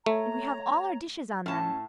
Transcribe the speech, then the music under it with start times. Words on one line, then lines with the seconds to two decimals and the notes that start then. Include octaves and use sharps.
And we have all our dishes on them.
0.06 A3 C#5 A#5
1.46 A2 C#4 A5